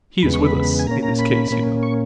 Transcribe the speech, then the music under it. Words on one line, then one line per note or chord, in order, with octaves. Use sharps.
"He is with us in this case, you know."
E2 C#3 G#3 B3 B5
C#6
B5
G#5
A#2 A#3 C#4 A#5
A#5
B5
A#2 A#3 C#4
C#6